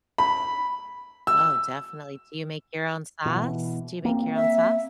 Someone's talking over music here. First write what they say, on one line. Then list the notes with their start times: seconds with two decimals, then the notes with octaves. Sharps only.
Oh, definitely. Do you make your own sauce? Do you make your own sauce?
0.18 B5
1.27 E6
3.25 B2 E3
4.05 A#3 C4
4.36 E5